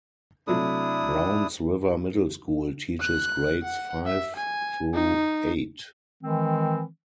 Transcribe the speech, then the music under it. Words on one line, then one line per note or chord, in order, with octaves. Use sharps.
Browns River Middle School teaches grades five through eight.
C3 F#3 A3 D4 E4 D#6
F#6
F#5
E5
G#5
D#4
D#3 E3 G#3 C4